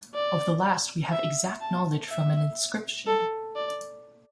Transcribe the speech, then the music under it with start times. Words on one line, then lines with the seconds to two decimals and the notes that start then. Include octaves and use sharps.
Of the last we have exact knowledge from an inscription.
0.14 D5
1.12 E5
1.61 A5
2.09 E5
3.07 A4
3.56 D5